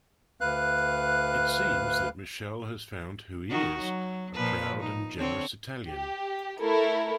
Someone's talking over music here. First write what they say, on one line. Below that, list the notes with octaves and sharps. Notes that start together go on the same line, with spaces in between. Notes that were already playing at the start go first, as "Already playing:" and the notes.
It seems that Michele has found who he is, a proud and generous Italian.
D2 B4 F5 F#6
D#3 D#4 F#4
F#3
A#2 F3 B4
D#4
D3 C4 C#5
G4
A3 E4 A4 A#4